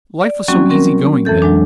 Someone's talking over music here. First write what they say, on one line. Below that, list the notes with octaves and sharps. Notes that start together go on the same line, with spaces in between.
Life was so easy-going then.
D5
F#3 G3 A#3 C4 C#4 F#4
C4 C#4 A#4
F2 E3 A4 G6
F#3 G#3 D4